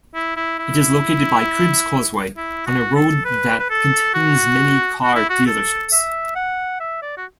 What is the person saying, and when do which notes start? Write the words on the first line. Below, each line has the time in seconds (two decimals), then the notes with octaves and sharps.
It is located by Cribbs Causeway, on a road that contains many car dealerships.
0.15 E4
0.36 E4
0.59 E4
2.37 E4
2.67 F#4
2.95 A4
3.25 B4
3.59 B4
3.70 A4
4.14 F#4
5.04 F#4
5.15 E4
5.30 F#4
5.47 A4
5.92 E5
6.36 F#5
6.80 E5
7.02 D5
7.17 F#4